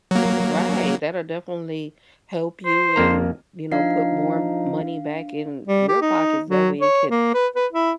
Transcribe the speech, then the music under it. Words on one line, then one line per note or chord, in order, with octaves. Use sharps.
Right, that'll definitely help you and, you know, put more money back in your pockets, that way it could
F#3 A#3
C5
F2 A#3 A#5
F3 D4 D#4 F5 C7
G3
G4
D#4
F#3
C#5
A#3
B4
B4
E4